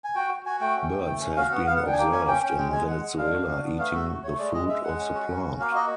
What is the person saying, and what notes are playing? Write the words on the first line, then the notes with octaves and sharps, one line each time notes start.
Birds have been observed in Venezuela eating the fruit of the plant.
G#5
F#4 G5
F#4
F#4 G#5
A3 G5
C#4
A3
A3
C#4
F#4 F5
B3 F#5
B3 F5
F#5
D4
G5
G#5
A#3 G5
C#4 G#5
C#4 G5
C#4 G5
G#3 G5
G#3 G#5
G#3 F#5
G#3
D4 F5
F#4
D4
B3
A3 F5
F#4 E5
A3
A3 C#5
G#3 D5
G#3 D#5
G#3 E5
G#3 F#5
C#4
F#4
C#4
F#4
A#3 F5
F#4 D#5